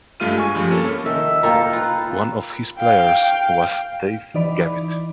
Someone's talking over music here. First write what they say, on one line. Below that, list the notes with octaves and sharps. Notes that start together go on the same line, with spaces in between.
One of his players was Dave Gavitt.
G2 G#3 A3 F4 F6 D#7
G#5 C#6
G2 F3 G3
A#3 C#4 A4
D#3 E5
A#3 F4 A4 F5 G5 A#5
F4 B4
F5 G5
E3 D#4 D5 B5